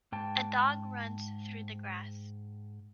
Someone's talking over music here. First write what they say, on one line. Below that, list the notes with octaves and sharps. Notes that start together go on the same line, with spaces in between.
A dog runs through the grass.
G#2 G5 A5